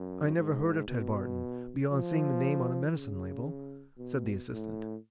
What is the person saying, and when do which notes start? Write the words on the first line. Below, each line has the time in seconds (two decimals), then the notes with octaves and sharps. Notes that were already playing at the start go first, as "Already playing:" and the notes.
"I never heard of Ted Barton, beyond seeing the name on a medicine label," said the assistant.
Already playing: F#2
0.36 G#2
0.88 B2
1.92 F3
2.95 C#3
3.98 B2
4.50 A2